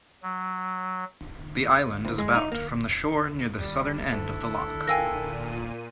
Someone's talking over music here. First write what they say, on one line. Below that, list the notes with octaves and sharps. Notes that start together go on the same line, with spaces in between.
The island is about from the shore near the southern end of the loch.
F#3
D2
G#3
D#4
A#3
G3
D2 D4 E4 A4
A#2 A#4 F5 G5 G#5 E6 A#6 D#7